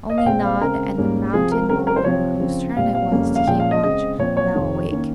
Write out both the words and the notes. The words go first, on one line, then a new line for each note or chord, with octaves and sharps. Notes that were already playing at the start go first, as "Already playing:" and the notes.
Only Nod and the Mountain-mulgar whose turn it was to keep watch were now awake.
D#5
F5
A#2 G#3 C4 G5
F5
C#3 G#3 C4 A#4
G#2 G3 A#3 C#4
C3 F3 C4 G#4
A#4
C#3 G#3 C4 A#4
A#4
C5
C3 F3 C4 C#5
C#3 F3 C4
A#2 G3 C4 F5
F5
F2 C#3 G3 A#3 C#4
F5
A#2 F3 G#3 C#4 G5
F5
D#5
C#3 G#3 C4 D#5
A#2 F3 C4 C#5
C#5
F2 C3 D#3
D#3 A#3 C#4